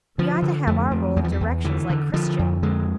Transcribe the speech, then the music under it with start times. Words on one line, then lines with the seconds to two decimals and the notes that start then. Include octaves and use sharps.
We ought to have our roll of directions, like Christian.
0.18 D3 F3
0.42 D3
0.67 F2 A3
0.91 F2
1.16 E2 G#3
1.24 F3
1.32 E3
1.41 E2
1.64 D3 E3
1.90 D3
2.13 D3 F3
2.39 F2
2.63 D3 G#3